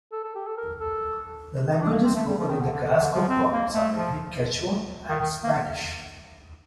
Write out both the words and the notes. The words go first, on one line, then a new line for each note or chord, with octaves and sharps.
The languages spoken in the Carrasco Province are mainly Quechua and Spanish.
A4
A4
G4
A4
A#4
A4
D#4
D4
A#3
C4
A3
G3
F3
D#3
D3
D3
D3
D3
F3
C4
A#3
A3
F3
D#3
D#3
A#3